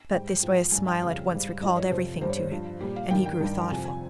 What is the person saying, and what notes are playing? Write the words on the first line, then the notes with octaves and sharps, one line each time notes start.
But this joyous smile at once recalled everything to him, and he grew thoughtful.
G#2 G3 G5
G#2 F3
G2 G3 G#5
G5
F2 C#3 G3 F5
G#2 G3
G2 F3 D#5
C#5
F2 C3 F3 C5
G2 G3 C5
C#5
C5
G2 F3
A#2 G3 G4
F5
G2 D#3 G3 G5
G5
G2 D#3 G3
F2 C3 F3 G#5
G#5